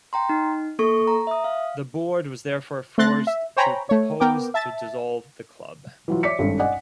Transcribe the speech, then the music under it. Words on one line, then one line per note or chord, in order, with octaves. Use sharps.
The board was therefore forced to propose to dissolve the club.
G5 A#5 C6
D#4
A#3 A4 C#6
A#5
E5 D#6
F5
A3 C4 C6 F#6 A6 A#6
E5
C5 C#5 G5 G#5 A#5 B5
A3 C#5
B3 A#4 G5 D6
E5 A5 A6
E3 F#3 F4
C#5 D5 E5 D6 B6 C#7
G#1 G2 C#4 A4
D5 D#5 F#5 G#5